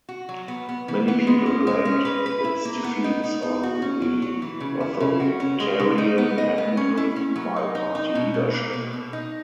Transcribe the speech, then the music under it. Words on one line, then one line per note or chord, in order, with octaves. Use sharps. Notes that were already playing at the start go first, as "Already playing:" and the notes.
Many people blamed its defeats on the authoritarian handling by party leadership.
F#4
F#3
B3
B3
E3
B3
G#3
C#4
G#3
C#4
B4
B4
E4
A#3
B3
D#4
D#4
D#4
F#4
C#4
F#3
F#3
E3
C#3
E4
C#3
F#4
C#4
G#3
C#3
D#4
B3
D#5
B3
C#4
E4
C#4
F#3
D#4
D#4
D#4
B2
B2
A#3
B2
B2
D#4